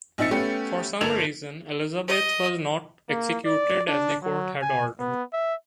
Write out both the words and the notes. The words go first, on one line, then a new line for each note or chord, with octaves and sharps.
For some reason, Elizabeth was not executed as the court had ordered.
A#1 C4 D#4 E5 A6 C#7
A3 B3 C#4 G4
G1 A4 A#4 G#6 E7 F7
D#5
A#3
D5
D4
F#3
G#5
B3
E5